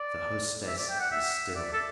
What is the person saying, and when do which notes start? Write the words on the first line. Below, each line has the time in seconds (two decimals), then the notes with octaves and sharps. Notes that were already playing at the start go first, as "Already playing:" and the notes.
The hostess is still.
Already playing: D5
0.67 E5
0.78 D5
0.89 G5
1.00 F#5
1.11 E5
1.56 D5
1.73 A4